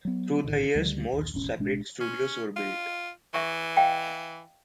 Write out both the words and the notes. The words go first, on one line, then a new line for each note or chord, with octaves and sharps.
Through the years more separate studios were built.
F#3 B3
B1 A2 D3 D#3
D2 D3 D#3 G3
A#1 D#2
E1 A1 C#4
A1 B2 G#3 D4
C#4
F4
E3 E5 C#6
D#5 F5 G5